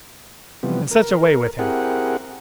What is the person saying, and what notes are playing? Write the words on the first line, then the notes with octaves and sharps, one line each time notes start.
And such a way with him!
C3 E3 F3 G3 B3
A#4
C4 E4 G4 G#4 A#4 F#5